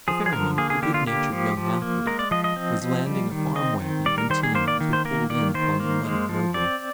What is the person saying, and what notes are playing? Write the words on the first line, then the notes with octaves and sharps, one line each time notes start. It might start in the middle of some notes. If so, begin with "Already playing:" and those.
The ferryman, a good-natured young athlete, was landing a farm-wagon and team as we pulled in upon the muddy roadway.
F3 G#4
G#4
D3 A#4
A#3 G#4
G#4
D3 G4
F4
A#3 G4
F3
F3
A#3
G#3 A#4
D5
F3 D#5
D#5
C4
F3
G3
D#3
C4 D#5
D#3
G3 D5
A#4
D#3 C5
G#4
A#3 C5
D5
D#3
C5
A#3 A#4
D#3 D5
D#3 C5
A#3
G#3
F3
C4 D5